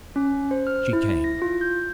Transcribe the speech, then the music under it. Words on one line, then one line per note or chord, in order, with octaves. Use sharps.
She came.
C#4
C5
F6
E4
A#6
F4
G6